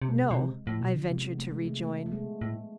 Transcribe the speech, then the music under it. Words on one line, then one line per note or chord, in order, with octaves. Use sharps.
"No," I ventured to rejoin.
C3
B2 G#3
C3
B2
C3
A2 F3
B2 E3
D3 F3
C3 G#3 B3
B3
A3
G#3
A3
A3
A3
G#3 B3
A2